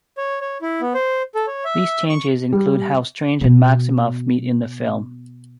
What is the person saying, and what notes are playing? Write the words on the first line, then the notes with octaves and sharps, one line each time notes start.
These changes include how Strange and Maximoff meet in the film.
C#5
C#5
E4
B3
C5
A4
C#5
E5
C#6
G3
B2 B3